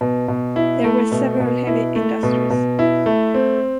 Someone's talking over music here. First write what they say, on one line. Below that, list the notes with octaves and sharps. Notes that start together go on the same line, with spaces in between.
There were several heavy industries.
B2
B2
E4
A3
B2
B2
E4
A3
B2
B2
E4
A3
C4